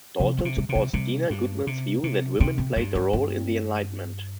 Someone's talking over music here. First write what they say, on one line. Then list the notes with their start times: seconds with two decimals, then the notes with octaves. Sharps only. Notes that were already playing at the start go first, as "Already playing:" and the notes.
Dalton supports Dena Goodman's view that women played a role in the Enlightenment.
0.20 C3 F3
0.38 F3
0.45 C3
0.57 G3
0.69 C3
0.75 F3
0.93 C3 G3
1.30 G2
1.67 C3
2.03 C3
2.40 C3 C4
2.58 C4
2.76 G2 D4
2.95 C4
3.13 C4